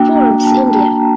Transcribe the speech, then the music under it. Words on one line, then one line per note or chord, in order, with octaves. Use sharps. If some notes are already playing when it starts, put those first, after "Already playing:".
Forbes India.
Already playing: A#3 D4 F#4 G5
A#5
G5
A5
A5
A#5